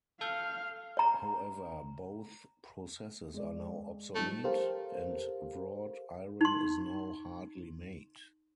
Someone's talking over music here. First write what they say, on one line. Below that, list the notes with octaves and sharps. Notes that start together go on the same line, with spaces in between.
However both processes are now obsolete, and wrought iron is now hardly made.
A4 F5 F6 G6
C#5 A#5
G#3 D5
F3 G3 A3 D#4
G4 A4 A#4 C5 F5
D#4 C6